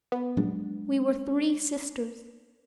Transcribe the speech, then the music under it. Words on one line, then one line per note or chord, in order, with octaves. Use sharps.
We were three sisters.
B3
A#1 F#3 G#3 D4